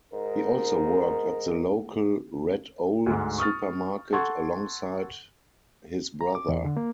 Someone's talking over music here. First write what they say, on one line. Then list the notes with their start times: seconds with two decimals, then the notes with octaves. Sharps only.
He also worked at the local Red Owl supermarket alongside his brother.
0.14 G#2 D#4 A#4
3.06 D2 G#2
3.38 C#6 D#6 F6 A6
4.13 A4 F#5 C6 C#6 G#6
6.21 A#5
6.35 D6
6.49 E2
6.65 D3
6.77 A#3